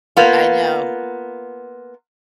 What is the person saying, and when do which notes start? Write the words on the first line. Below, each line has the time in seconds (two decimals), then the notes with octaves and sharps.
I know.
0.17 A#3 B3 F4